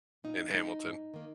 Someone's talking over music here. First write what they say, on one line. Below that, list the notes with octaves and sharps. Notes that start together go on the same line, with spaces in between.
in Hamilton.
A#2 D#4
G#3 D#4
G#2
D#3 A#3